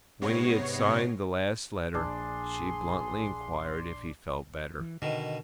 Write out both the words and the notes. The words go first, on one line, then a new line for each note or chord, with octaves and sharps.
When he had signed the last letter she bluntly enquired if he felt better.
G#2 C3 B3 C#5 A#6 C7
A#1 D4 G#4 C6
E3
B2 D3 D#3